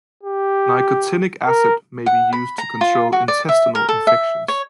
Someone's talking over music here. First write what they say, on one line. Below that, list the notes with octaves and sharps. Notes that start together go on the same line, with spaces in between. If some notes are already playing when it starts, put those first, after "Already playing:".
Nicotinic acid may be used to control intestinal infections.
G4
A#4
F#5
B5
A#5
F4
F#4
D5
E5
A#4
A4
E5
C#5